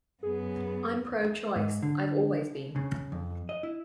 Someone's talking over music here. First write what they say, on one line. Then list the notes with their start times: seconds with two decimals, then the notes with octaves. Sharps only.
I'm pro-choice; I've always been.
0.23 F#2 B3 G#4
1.56 G#2
1.83 D3
2.76 C#3
3.12 F2
3.49 D#5
3.63 E4